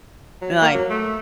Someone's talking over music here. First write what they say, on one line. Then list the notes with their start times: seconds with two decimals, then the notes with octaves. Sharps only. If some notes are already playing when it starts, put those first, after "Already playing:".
and like
0.42 F#3
0.61 A#3
0.74 F#3
0.90 A3